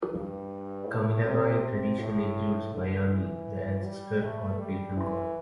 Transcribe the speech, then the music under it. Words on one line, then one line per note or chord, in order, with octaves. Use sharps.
Kamilaroi tradition includes Baiame, the ancestor or patron god.
G2
A2
C3
C3
A2
D3
E3
G3
A3
G3
E3